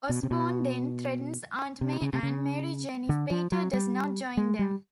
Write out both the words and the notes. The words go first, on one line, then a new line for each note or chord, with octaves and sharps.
Osborn then threatens Aunt May and Mary Jane if Peter does not join them.
B2
C3
B2
C3
C#3
C3
C#3
D3
F3
F#3
G3
G#3
G3